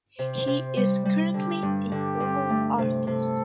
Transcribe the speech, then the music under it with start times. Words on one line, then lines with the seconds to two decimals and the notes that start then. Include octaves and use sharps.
He is currently a solo artist.
0.18 C3 C5
0.47 C3
0.77 G3
1.05 G3
1.34 D3 G4
1.63 G2
1.92 D3 G4
2.20 G2
2.49 A3
2.78 C3
3.07 C3 A4